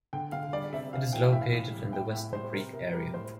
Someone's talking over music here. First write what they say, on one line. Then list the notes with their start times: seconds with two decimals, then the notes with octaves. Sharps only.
It is located in the Weston Creek area.
0.13 D3 G5
0.32 D3 F5
0.53 G3 D5
0.73 C3 E5
0.93 C3 F5
1.13 E3 G5
1.22 F5
1.32 A2 E5
1.41 F5
1.52 A2
1.73 G3
1.93 A2 G5
2.13 A2 E5
2.33 G3 C5
2.52 C3 A#4
2.73 C3 A#4
2.93 G3 A#4
3.14 A2 C5